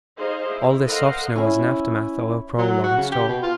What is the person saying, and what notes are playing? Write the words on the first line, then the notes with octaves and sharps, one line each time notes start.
All this soft snow is an aftermath of our prolonged storm.
D#4 G#4 C5 D#5 F5
E4
A4 A#4 C5 D#5 F5 F#5
C#4 E4
F#3
F#4
C#3
G4
B2
F4